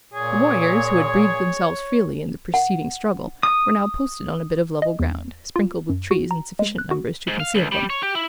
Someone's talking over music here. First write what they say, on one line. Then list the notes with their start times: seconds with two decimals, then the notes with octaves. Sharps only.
The warriors, who had breathed themselves freely in the preceding struggle, were now posted on a bit of level ground, sprinkled with trees in sufficient numbers to conceal them.
0.14 A#2 G#4 C#5
2.54 F#5
3.43 D#6
4.82 D#5
5.00 E2
5.56 F4
5.90 F#2
6.11 F#4
6.31 A#5
6.59 G#3
6.78 F#6
6.91 F#4
7.27 G#2
7.40 F5
7.55 C#2
7.72 G3
7.90 C#5
8.03 G4
8.15 E4